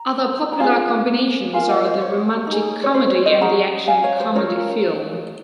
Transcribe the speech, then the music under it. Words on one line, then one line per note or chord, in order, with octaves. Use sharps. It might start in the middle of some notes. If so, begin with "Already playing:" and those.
Other popular combinations are the romantic comedy and the action comedy film.
Already playing: A#5
A#5
F4 G#4 F5 G#5
F4 A#4 F5 G#5
D#5 F#5
C5 D#5
C#5
D#4 G#4
C#5
C5
C#5
C5 D#5
C#4 G#4 F#5 A#5
F5 G#5
C#5
C5
C#4 F4 A#4 C#5